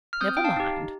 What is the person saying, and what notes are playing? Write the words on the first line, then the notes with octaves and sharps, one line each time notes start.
Never mind.'
F6
C4 D#6 G6
G5
F5 A5
D#4 G4